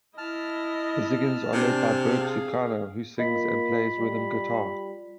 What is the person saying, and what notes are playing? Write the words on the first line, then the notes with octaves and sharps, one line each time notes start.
The Ziggens are led by Bert Susanka who sings and plays rhythm guitar.
E4 D#5 A5 F6
C3 D4 G#5
G#4 F5
A#3 F4 D#5 B5
G3